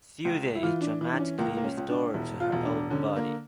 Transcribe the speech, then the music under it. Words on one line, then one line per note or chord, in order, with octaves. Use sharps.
Susan is dramatically restored to her own body.
C#2
E4
E3 F4
D4
E3
D4
C#4
C#2 A#3
A#3
C#4
C#2
D4
E1 E4
F4
E1
D4
D3 C#4
A#3